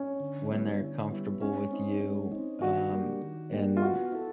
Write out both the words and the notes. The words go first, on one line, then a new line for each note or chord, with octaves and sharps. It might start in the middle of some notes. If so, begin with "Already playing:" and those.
when they're comfortable with you, um, and
Already playing: C#4
D3
G3 B3 E4
D3
G3 B3 E4
G#3 C#4
C4 D#4
G#3
C4 D#4
D#3 F#4
G3 A#3 D4 G4
D#3
G3 A#3 D4 G4
F4
B3 F#4
E4 A4